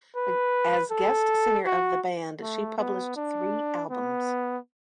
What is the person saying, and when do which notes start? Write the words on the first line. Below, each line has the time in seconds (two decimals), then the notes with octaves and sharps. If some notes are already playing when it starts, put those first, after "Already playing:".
As guest singer of the band she published three albums.
0.16 B4
0.91 A4
1.66 F#4
2.41 A3
2.78 B3
3.16 D4
3.90 B3